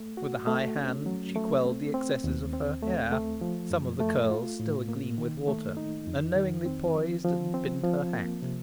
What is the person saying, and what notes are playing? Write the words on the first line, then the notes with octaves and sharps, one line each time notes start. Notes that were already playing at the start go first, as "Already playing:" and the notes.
With a high hand she quelled the excesses of her hair--some of the curls still agleam with water--and knowingly poised and pinned her hat.
Already playing: A3
F#4
A3
C#4
F#3
A3
C4
C4
D#2
C4
A3
A3
F3
F#2
A3
F4
A2
A#3
D#3
A3
D#4
F2
D#3
C4
F3
F3
C4
F3
A#3
C3